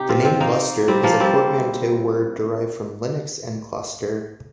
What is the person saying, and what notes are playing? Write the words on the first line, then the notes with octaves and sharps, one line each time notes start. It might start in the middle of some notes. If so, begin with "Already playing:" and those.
The name Lustre is a portmanteau word derived from Linux and cluster.
Already playing: C3 D#4 G4
C4 F4
C4 F4
A#3 D#4
G3 C4
F3 A#3
G3 C4